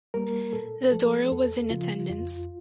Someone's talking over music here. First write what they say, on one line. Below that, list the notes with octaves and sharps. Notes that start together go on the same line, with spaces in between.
Zadora was in attendance.
G3 A#3 A#4
A#2 A4
F3 A3 A4
E2 A4
C#3 F3 F4
F2 F4